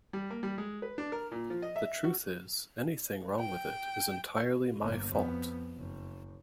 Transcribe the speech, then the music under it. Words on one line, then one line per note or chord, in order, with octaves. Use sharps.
The truth is, anything wrong with it is entirely my fault.
G3
A#3
G3
G#3
B4
D4
A#4
A#2
F3
D#5
E5
F#4
G5
G1 A#3
F2 B3
F#1